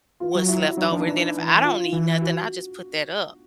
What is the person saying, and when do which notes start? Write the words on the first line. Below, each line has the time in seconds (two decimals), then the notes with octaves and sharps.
what's left over, and then if I don't need nothing, I just put that up,
0.20 F4
0.34 F#3 F#4
0.48 E4
0.77 F#3 D#4
0.91 F3 D4
1.00 D#4
1.06 E3 D4
1.64 F4
1.92 E3
2.21 F#4